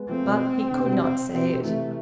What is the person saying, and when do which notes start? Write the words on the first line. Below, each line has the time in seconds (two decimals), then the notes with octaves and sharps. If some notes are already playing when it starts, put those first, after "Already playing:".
But he could not say it.
Already playing: G#3 B3
0.09 F3 A3 C4
0.24 B2
0.71 D3
0.78 C3
0.85 B2
0.92 C3
1.01 C4
1.32 B2 C4
1.48 C3
1.56 D3
1.64 C3 E3 A3